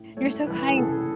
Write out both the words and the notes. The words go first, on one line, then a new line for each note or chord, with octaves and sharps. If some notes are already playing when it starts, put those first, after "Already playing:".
You're so kind.
Already playing: A2
A3 C#5
E3 B4
G#4
C#3 A4